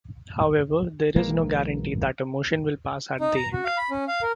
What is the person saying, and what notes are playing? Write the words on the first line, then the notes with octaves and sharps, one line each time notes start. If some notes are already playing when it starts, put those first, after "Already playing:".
However, there is no guarantee that a motion will pass at the end.
B1 E3 G#3 A#3
D#4
A#5
F#4
F5
B5
C#4
F5
A#4